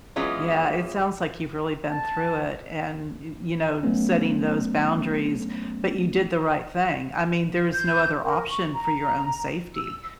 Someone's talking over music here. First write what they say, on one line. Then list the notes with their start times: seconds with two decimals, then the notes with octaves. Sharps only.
Yeah, it sounds like you've really been through it, and, y you know, setting those boundaries, but you did the right thing, I mean, there's no other option for your own safety.
0.16 E3 F#3 G#3 B3 C#4 F4
1.91 A5
3.83 F#3 A3 B3 C#4
7.74 G6
8.24 A#4
8.49 C#6
8.73 A#5
9.75 E6